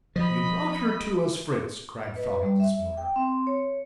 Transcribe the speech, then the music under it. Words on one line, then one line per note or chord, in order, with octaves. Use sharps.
"You brought her to us, Fritz," cried Frau Hildesmuller.
F3 D#5 B5
D#5
B4
G3
E5
G5
C4
C#5